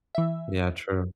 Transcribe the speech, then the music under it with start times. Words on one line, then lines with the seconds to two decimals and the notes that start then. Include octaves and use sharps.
Yeah. True.
0.15 E3 E5